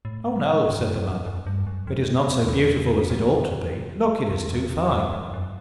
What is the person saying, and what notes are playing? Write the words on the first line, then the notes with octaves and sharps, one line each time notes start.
"Oh, no," said the mother; "it is not so beautiful as it ought to be. Look, it is too fine."
A2
G#2
F#2
F2
F2
F#2
G2
F#2
F2
E2
F2
E2
F2
F2
F#2